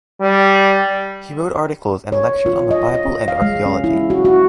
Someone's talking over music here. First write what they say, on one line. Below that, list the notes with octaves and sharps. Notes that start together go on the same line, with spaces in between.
He wrote articles and lectured on the bible and archeology.
G3
C#5
F4
D#5
D#5
F5
G#3
C#4
E4
F#4
F#4